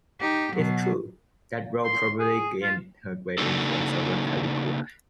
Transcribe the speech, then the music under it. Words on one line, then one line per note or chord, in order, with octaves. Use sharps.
If true, that role probably gained her great influence over Caligula.
D#4 G4
B2 F#3
C6
G#4
F4
C#3 A#3 D4 D#4 F#4 A4